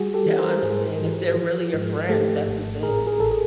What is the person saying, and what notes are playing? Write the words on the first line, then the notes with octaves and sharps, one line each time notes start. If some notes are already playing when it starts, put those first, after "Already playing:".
They'll understand if they're really your friend. That's the thing.
Already playing: G3 F#4 G#4
G4 A4
E3
A#4 C5
G#2 G#4 A#4
E3
F3
G#2
A3 G4 A4
G#1
A2 G#4 A#4
G#4 A#4
A1 A4
G#4